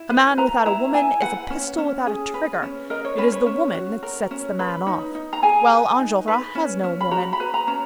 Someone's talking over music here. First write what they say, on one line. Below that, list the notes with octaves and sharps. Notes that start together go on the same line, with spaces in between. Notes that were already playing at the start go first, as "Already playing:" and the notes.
A man without a woman is a pistol without a trigger; it is the woman that sets the man off. Well, Enjolras has no woman.
Already playing: E4
B4
B4 A#5
E4 A#5
E4 G#5
B4 F#5
C#4
C#4
G#4
B4
C#4
A#4 D#5
C#5
C#4 B4
C#5
C#4
F#4
A#4
C#4
B4
D#4
D#4
A#5
G#4 G#5
B4
D#4
B4
C#4
C#4
B5
F#4 A#5
B5
B4
A#5
C#4